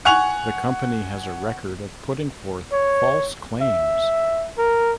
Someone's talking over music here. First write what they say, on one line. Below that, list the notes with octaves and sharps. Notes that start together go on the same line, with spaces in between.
The company has a record of putting forth false claims.
F#5 G#5 C#6 F#6 F7
C#5
E5
A#4